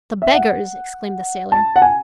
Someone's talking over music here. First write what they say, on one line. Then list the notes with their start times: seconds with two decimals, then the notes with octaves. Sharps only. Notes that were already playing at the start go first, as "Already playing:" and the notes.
"The beggars," exclaimed the sailor.
0.22 E5
0.34 F#5
1.52 A5
1.76 F#5
1.82 G#5